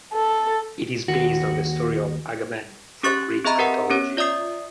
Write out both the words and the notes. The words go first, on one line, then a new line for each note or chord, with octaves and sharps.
It is based on the story of Agamemnon from Greek Mythology.
A4
D#2 F#4
C#4 G4 C#6 F#6 A6
C4 G#4 D#5 E5 A#5 B5
G4 A#4 B4 F#5
B3 C#4 C#5
F4 D5 E5 D#6 C7